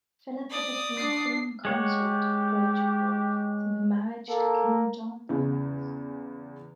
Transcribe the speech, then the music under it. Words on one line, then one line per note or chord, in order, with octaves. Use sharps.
Philippa became Queen consort of Portugal through her marriage to King John the First.
D5 D#6
D4 C7
G#3 G4 C#5 F#5
A#3 A4
E2 C#3